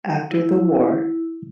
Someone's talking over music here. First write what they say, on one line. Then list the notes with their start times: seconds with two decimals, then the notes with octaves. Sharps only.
After the war.
0.30 E4